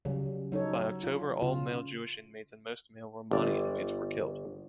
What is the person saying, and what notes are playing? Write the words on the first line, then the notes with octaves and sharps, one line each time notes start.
By October, all male Jewish inmates and most male Romani inmates were killed.
C#3 F#3 G3
F#3 D#4 A4 C#5
F4
C#3 F4
G1 D5